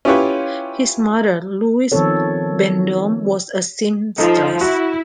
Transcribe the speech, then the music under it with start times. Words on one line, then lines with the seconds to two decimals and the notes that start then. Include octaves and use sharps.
His mother, Louise Bendome, was a seamstress.
0.05 C#4 E4 F4 G4 B4 C#5
1.92 D#3 F3 B3 C4 A4 C#5
4.18 F3 D#4 A4
4.61 E4 F#4